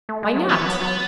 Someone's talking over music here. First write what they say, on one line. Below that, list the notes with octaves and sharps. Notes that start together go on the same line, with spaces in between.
"Why not?"
A3
G#3
F#3
E3 B3
E3
F#3
F#3